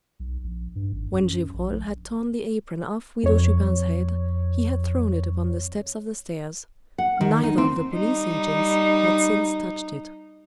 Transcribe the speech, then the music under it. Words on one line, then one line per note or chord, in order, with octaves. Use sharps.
When Gevrol had torn the apron off Widow Chupin's head he had thrown it upon the steps of the stairs; neither of the police agents had since touched it.
B1
A#1
G2
G#1
F#2
A#1
F2 C#5
F#5
D#3
D#4
C4
G3 D#4